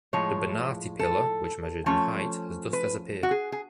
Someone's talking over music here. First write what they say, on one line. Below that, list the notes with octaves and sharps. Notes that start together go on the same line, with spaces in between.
The Bonatti pillar, which measured in height, has thus disappeared.
A2 F3 G#3 C#5
A4
F3 A3 C#4 C#5
B4
F#4
G#4
G#4